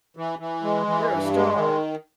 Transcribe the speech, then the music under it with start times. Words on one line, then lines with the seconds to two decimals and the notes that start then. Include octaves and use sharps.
You're a Star!.
0.17 E3
0.39 E3
0.63 G#3
0.87 E3
1.10 G2
1.34 G#3
1.57 D#3